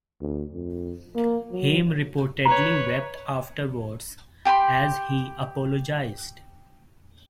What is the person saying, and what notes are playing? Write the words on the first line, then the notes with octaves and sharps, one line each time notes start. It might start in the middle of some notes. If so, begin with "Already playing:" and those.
Haim reportedly wept afterwards as he apologized.
D2
F2
A#3
F#3
B4 C#5 A#5
G4 G5 B5 C6